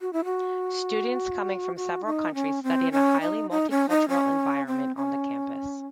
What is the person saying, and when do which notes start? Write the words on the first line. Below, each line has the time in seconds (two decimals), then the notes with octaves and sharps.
Students coming from several countries study in a highly multi-cultural environment on the campus.
0.01 F#4
0.13 E4
0.25 F#4
1.76 F#4
2.05 D#4
2.34 C#4
2.63 C4
2.92 C#4
3.21 D#4
3.50 D#4
3.70 C#4
3.89 D#4
4.09 C#4
4.67 C4
4.96 C#4